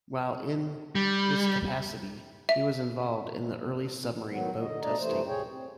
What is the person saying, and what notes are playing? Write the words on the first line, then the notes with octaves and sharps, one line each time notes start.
While in this capacity, he was involved in early submarine boat testing.
G3
E5
D#3 F#3 B3
D3 D#5
B2 A3 D4 D5 D#5 A#5
C3 E3 A3 C5
D2 C3 G#4 C#5 G5
C4